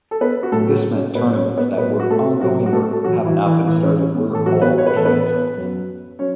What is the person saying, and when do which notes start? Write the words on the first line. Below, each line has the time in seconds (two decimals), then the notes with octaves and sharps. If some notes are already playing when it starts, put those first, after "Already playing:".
This meant tournaments that were ongoing or have not been started were all canceled.
0.11 A4
0.21 B3 B4
0.43 F#4
0.52 A2 F#3 A3 A4
0.73 F#3 F#4
0.95 C#4
1.15 A2 F#3 B3 B4
1.36 C#4 C#5
1.57 B3 B4
1.78 A2 F#3 B3 B4
2.00 F#4
2.10 A3 A4
2.41 A2 F#3 F#4
2.66 F#4
2.73 A3 A4
2.93 A4
3.04 A2 E3 F#3 F#4
3.25 E3 E4
3.46 E3 E4
3.67 A2 E3 E4
3.83 C#4
3.99 C#4
4.15 B3
4.30 A2 E3 A4
4.46 F#3 F#4
4.62 B3 B4
4.78 C#5
4.87 B4
4.93 A2 E3 A4
5.05 B3 B4
5.56 F#2 F#3
6.19 F#3 C#4 C#5